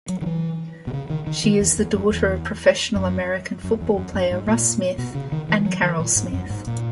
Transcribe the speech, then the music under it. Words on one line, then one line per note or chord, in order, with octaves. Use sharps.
She is the daughter of professional American football player Russ Smith and Carol Smith.
F#3
D#3
E3
B2
C#3
D#3
D#3
D#3
E2
E2
F#2
E2
F#2
F#2
E2
F#2
F#2
G#2
A#2
B2
C#3
D#3
E3
F#3
D#3
A#2
G#2
F#2
G#2
A#2